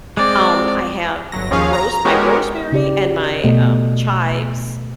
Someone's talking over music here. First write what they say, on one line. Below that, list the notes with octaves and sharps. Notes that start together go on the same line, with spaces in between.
Um, I have rose my rosemary and my, um, chives
G#3 C4 D5
G1 F#3 A#6
D#2 F3 C#4 G#4 F5
A#5
G#3 B3 C#4 F#4 G4 A#4
C#3 G4 D5
B2 A3 D#5